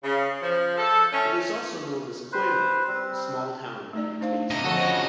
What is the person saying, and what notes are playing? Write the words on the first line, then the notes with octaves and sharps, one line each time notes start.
It is also known as Koyma, the small town at its base.
C#3
F3
A4
A3 C#4
B4 C5
G3 C4
A3 D#4 D5
D4 C5 F5
E2 C3 D#5
D3 F3 F#4 A4 C#5
F2 C#3 C5